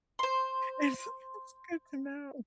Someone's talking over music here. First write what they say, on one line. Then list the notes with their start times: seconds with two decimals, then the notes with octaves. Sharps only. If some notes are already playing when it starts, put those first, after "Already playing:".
It's so it's good to know.
0.19 C5 C6